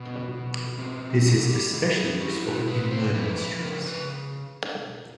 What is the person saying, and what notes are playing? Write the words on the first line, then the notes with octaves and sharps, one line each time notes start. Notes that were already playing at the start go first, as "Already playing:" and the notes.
This is especially useful in murder mysteries.
Already playing: B2 F#4
B2
C4
G#3 G4
G4
D#3 G#4
G#4
E4 G4
F#4
C4 B4
C5
F3 B4
B4
C#3 A#4
B4